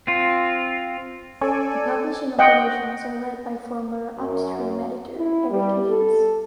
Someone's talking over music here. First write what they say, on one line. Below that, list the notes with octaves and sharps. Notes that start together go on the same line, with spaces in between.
The publishing operations are led by former "Upstream" editor Erik Means.
C4 F4
C#4 A4 D5 G#5
D#5 F#5 G5
F#2
E4
G3
A4